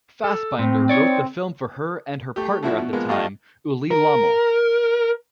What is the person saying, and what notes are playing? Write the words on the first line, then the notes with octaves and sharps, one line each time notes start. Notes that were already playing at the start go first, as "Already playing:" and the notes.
Fassbinder wrote the film for her and her partner at the time, Ulli Lommel.
A4
A2 C4
D#4 C#5 D5
A3 G4
F3 A3 D4 E4 F#4 E5
B2
F3 G#3 A#3 B3
G2 A3 F4 G4 D5 D#5
A#4